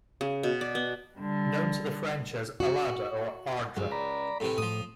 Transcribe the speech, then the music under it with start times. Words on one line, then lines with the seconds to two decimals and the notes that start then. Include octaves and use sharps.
Known to the French as "Allada" or "Ardres".
0.21 C#3
0.43 B2
0.61 D5
0.75 B3
1.17 D3 G3
2.60 F#4
3.77 C#2 G2 F#3
3.92 D5 A#5 B5
4.40 A2 C3 E3
4.58 A2 F3 D#6